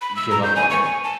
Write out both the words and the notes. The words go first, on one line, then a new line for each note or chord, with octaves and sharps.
give up on it.
B5
E6
A#5
G6
G#5
C#6
G#5
A5